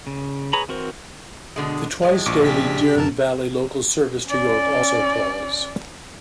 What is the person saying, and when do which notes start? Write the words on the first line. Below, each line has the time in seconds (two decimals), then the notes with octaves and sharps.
The twice-daily Dearne Valley local service to York also calls.
0.07 C#3
0.53 G#4 B4 C#5 A#5 B5
0.68 E3 C4 F#4 A#4 C5
1.56 B2 D3 G#3
2.02 A2 G#3
2.26 A#1 F4 C#6 D6
2.44 C#3 D4 G4 G#4 B6
2.96 F#2 C3 A#4 A5
4.26 C#4 D5